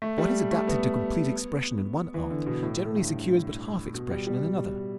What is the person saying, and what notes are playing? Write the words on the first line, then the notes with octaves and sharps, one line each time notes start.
What is adapted to complete expression in one art generally secures but half expression in another.
A3
G3
A3
B3
E3
D3
B2
A2
G2
B2
G3
G3